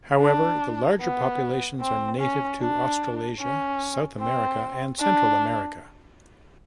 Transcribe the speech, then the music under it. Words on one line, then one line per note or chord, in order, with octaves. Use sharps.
However, the larger populations are native to Australasia, South America, and Central America.
D4
B3
C4
C#4
D4
C#4
C4
D4